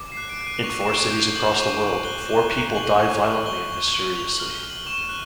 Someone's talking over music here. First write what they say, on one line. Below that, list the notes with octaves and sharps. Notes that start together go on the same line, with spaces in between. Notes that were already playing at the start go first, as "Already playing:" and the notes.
In four cities across the world, four people die violently and mysteriously.
Already playing: D6
C7
F#6
D7
F#6
D#7
C#6 D#7
E7
C#6
E7
G6
F7
G6 F#7
C#6
G6
F#6 G7
C#6
F#6
C#6 F#7
C#6
C#6
C#6 G7
C#6
C#6
C#6 F7
F#7
F6
G7
F6
F#7
C#6 E7
F#6